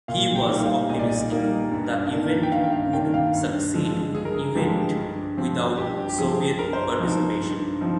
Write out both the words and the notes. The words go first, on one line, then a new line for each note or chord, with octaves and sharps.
He was optimistic the event would succeed event without Soviet participation.
A#2 F5
G5
G3 A#3 D#4
F5
A#2 D#5
D5
D#5
G3 A#3 D#4
G2
D#3 A#3 D4
G5
G2 F5
F5
D#3 A#3 D4 G5
F5
G2
D3 F3 G#3
G2 G#4
A#4
G#4
D3 F3 G#3 G4
G2
F3 C4
G2 G4
G4
F3 C4 G#4
G2 A#4
C5
A#4
F3 C4 D#4
G2
F3 C4 D#4